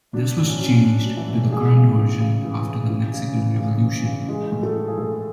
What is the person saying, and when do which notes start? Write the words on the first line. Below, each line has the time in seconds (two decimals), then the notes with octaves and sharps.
This was changed to the current version after the Mexican Revolution.
0.13 F#3 D4
0.37 A2
0.48 C#4
0.59 F#3
0.82 A2 D4
1.05 F#3
1.17 E3 E4
1.28 A2
1.51 E3 G#3 G#4
1.75 C#3
1.97 E3
2.21 C#3
2.44 E3
2.67 C#3
2.89 E3
3.13 C#3
3.36 E3
3.59 C#3
3.83 E3
4.05 C#3
4.28 E3 G#3 G#4
4.52 A2
4.63 A3 A4
4.75 E3
4.87 G#4
4.97 A2 A3 A4